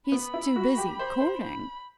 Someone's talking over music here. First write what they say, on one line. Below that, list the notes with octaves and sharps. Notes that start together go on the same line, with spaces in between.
"He's too busy, courting."
B3 B5
E4
F#4
G4
C5
C5
B5